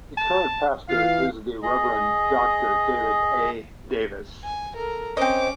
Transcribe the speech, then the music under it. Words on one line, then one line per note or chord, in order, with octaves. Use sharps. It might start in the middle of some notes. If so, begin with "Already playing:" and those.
The current pastor is The Reverend Doctor David A. Davis.
A5
E3 F4 F5
G#4 D#5
G#5
A4 A#4
C4 C#4 C5 D#5 D6